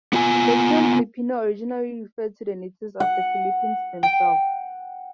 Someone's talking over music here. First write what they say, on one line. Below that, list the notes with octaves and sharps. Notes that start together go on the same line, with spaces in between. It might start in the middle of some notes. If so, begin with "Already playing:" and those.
The term "Filipino" originally referred to the natives of the Philippines themselves.
B3 F4 G#5
F#5
G5